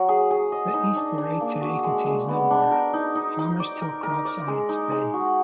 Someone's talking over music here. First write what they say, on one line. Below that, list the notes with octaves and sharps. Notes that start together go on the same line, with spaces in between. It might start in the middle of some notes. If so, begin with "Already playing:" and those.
The East Baray today contains no water; farmers till crops on its bed.
Already playing: F#3
G#4
G#4
D#5
D#4
D4
D4
A#3
F#4
G#3
G#3
B3
D4
A#4
D#4
D#4
D#4
D5
A#4
A#4
D5
G#3
D#4
G#3
F#4